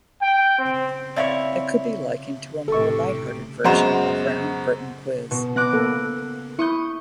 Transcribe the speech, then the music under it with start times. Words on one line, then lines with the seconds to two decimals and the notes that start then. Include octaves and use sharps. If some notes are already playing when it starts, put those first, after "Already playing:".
It could be likened to be a more light-hearted version of "Round Britain Quiz".
0.22 G5
0.59 C4
1.16 C4 E4 C#5 D5 E5 F5
2.68 E1 A2 C3 G4 A4 C#6
3.65 F#2 G#3 B3 F#4 C5 A#5
5.31 B2
5.56 B3 D6 F#6 A#6
5.73 A#3 B3 A4
6.59 E4 C#6 D#6 G6